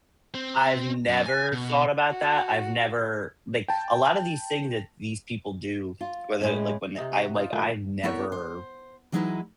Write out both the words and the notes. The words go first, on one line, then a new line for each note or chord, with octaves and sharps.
I've never thought about that. I've never, like, a lot of these things that these people do, whether, like when I'm, like, I've never
C4
F#2
G#5
B2
F#4
G5 A5
F4
A2 G#3 C#4
C3 D#4
F#4
D4 D#4 F4
A#2 D#3 F#3 A3
B3 E4 A4 A#4 C#5
C5
E3 F#3 G#3 D#4 E4 B4